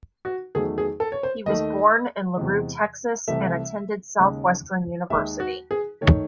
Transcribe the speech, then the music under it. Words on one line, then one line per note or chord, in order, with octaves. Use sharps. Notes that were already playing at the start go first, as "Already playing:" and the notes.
He was born in LaRue, Texas and attended Southwestern University.
F#4
E2 D#3 F#3 A3 G#4
G#4
A4
C#5
C5
D#2 D#3 A3 D#5
E2 C3 E3 G#3
C2 C3 E3 A3 E5
D#2 C#3 G#3
D#2 D#3 G#3 E5
F#4
G#4
D#3 A3 C#5